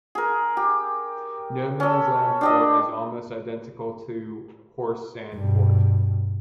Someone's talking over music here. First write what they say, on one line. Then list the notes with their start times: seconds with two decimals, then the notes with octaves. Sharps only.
No Man's Land Fort is almost identical to Horse Sand Fort.
0.15 G#4 A#4
0.57 G4
1.80 C#4 A4
2.41 D4 G4 D#5
5.34 G2 B2